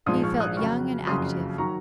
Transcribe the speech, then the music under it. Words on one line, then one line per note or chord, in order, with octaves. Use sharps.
He felt young and active.
A#1 G#2 F3 G#3 C6 D#6
C#6 F6
D#6 F#6
F2 C#3 F#3 C#6 F6
F#1 F2 C#3 F#3 C6 D#6
D#3 F#3 A#5 C#6